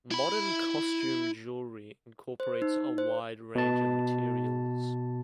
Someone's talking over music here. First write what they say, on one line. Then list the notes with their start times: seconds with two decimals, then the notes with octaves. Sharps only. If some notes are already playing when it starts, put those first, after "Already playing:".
Modern costume jewelry incorporates a wide range of materials.
0.11 E4 B5
2.40 C5
2.62 D#4
2.98 C5
3.55 B2 A5